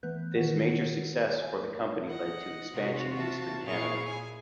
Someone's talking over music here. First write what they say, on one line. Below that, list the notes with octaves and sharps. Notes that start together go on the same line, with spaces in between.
This major success for the company led to expansion in Eastern Canada.
E3 A3 B3 B4 F#6 G6
D#3 F#4 B4 F#5
A3 G#5
D#5 F#5
C3 F4 F#4
E5 A5
A#2 E4 G#4 F5 C#6
G#5